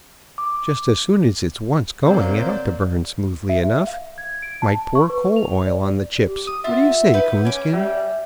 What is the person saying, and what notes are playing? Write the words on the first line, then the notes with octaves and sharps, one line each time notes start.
"Just as soon as it's once going, it ought to burn smoothly enough--might pour coal oil on the chips. What do you say, Coonskin?"
D6
C3 F#3 A#3 C5 D5
E5
F5
G#6
D7
A5
C#6
B4
F7
D5
G4
D#6
F4 E5 F#5
D#4 B4
C#4 G#5 D6
G3 E5